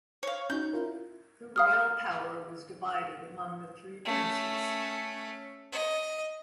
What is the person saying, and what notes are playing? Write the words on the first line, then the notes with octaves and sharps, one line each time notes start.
The royal power was divided among the three princes.
C#5 F5
C#4 D#4 F#4 G6
E4 F4 A#4
F5 D#6 F6
A3 C#4
D#5